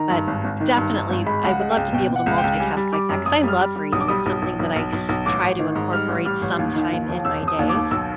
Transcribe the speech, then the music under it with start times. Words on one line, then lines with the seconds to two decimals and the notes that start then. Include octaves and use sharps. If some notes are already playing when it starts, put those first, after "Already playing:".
But, definitely, I would love to be able to multitask like that 'cause I love reading, it's something that I try to incorporate sometime in my day,
Already playing: D#3 A#5
0.10 G2
0.27 G#1
0.44 G#1
0.60 D#3
0.77 G2
0.94 G2
1.10 G#1
1.26 G#3 B5
1.44 C#2
1.49 F#5
1.60 G#3
1.71 G5
1.77 C#2
1.93 B2 G5
2.10 B2
2.16 F#5
2.26 C#2
2.38 G5
2.44 C#2
2.60 G3 G#5
2.77 G3
2.93 G3 D6
3.09 F#2
3.26 F#2 D#6
3.43 G3
3.48 F6
3.60 G3
3.76 G3
3.92 B1 D#6
4.00 D6
4.08 G3 D#6
4.26 B1
4.42 B1
4.59 B1
4.76 B1
4.93 B1
5.09 B1
5.26 A1 D6
5.43 A1
5.59 D#3
5.75 G#2
5.93 G3 F6
6.08 A1
6.25 G3 F6
6.42 A1
6.59 D#2
6.75 D#3
6.93 D#2
7.09 E1
7.25 E1 E6
7.43 E1
7.48 D#6
7.59 D#2
7.69 D6
7.75 D#2
7.91 B1 E6